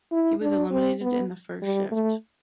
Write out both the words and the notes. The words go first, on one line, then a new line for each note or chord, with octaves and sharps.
He was eliminated in the first shift.
E4
D4
C4
B3
G3
A3